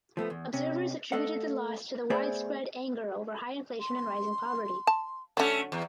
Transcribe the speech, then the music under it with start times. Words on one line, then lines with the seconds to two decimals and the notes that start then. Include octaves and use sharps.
Observers attributed the loss to the widespread anger over high inflation and rising poverty.
0.17 F3 A3 B3
0.30 E2
0.53 C3 C#4
1.12 A3 A4 D#5 F5 F#5
2.10 A3 B3 G#4 C5 D5 E5
3.80 C6
4.87 A5
5.37 D3 F#3 A3 C#4
5.72 E2